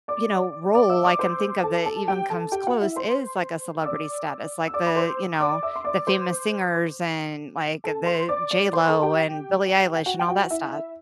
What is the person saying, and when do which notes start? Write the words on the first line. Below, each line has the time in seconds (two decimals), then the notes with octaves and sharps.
you know, role I can think of that even comes close is, like, a celebrity status, like, the you know, the famous singers, and like, uh, the J.Lo, and Billie Eilish, and all that stuff,
0.08 D5 D6
0.74 D5 D6
0.90 E5 E6
1.04 D5 D6
1.19 C5 C6
1.63 A4 A5
1.86 A4 A5
2.08 G4 G5
2.30 A4 A5
2.52 G4 G5
2.67 F#4 F#5
2.82 E4 E5
2.96 C5 C6
3.81 E6
3.86 D5 D6
4.67 E6
4.74 D5 D6
4.86 B5
4.96 C5 C6
5.40 D5 D6
5.63 E5 E6
5.76 C6
5.84 D5 D6
6.07 C5 C6
7.84 A4 A5
8.06 C5 C6
8.29 D5 D6
8.51 D5 D6
8.73 C5 C6
8.88 A4 A5
9.03 G4 G5
9.96 G5
10.06 F#4 F#5
10.19 G5
10.28 F#4 F#5
10.51 E4 E5